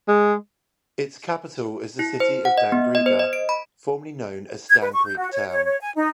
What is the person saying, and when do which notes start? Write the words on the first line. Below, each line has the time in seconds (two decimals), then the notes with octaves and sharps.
Its capital is the city of Dangriga, formerly known as Stann Creek Town.
0.08 G#3
1.99 E4
2.20 C5
2.45 F#5
2.58 D#5
2.72 B3
2.95 D#5
3.06 C5
3.19 D#5
3.33 D7
3.49 B5
4.68 G#6
4.81 B4
4.92 C#6
5.06 G6
5.17 F#4
5.32 C#5
5.49 C#5
5.65 C#5
5.81 G#5
5.95 D#4